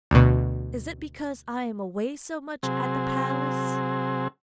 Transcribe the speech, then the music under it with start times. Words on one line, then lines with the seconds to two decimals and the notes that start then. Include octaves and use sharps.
"Is it because I am away so much at the palace?"
0.11 D2 B2
2.63 C3 F#3 C4 G#4